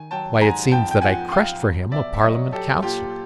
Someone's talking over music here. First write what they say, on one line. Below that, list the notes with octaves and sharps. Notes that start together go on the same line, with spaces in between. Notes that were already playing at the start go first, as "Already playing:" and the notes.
"Why, it seems that I crushed for him a parliament councillor."
Already playing: D#3 G#5
F#3 G5 A5
G#2 G#5 A#5
F2 G5 A5
G5
F3 F#5 G#5
F3 F5 G5
F#3
B2 D5 E5
E5
F#3 C#5 D#5
F#3 G4 A4
A#2 F4 G4